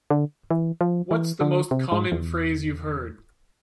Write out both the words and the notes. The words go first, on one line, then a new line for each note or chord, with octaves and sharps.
What's the most common phrase you've heard?
D3
E3
F3
E3
D3
C3
G#2
E2